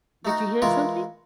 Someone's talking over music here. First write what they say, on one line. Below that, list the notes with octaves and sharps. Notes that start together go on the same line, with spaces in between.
Did you hear something?
A3 D#4 F#4
E3 G#3 F4 A#4 C#6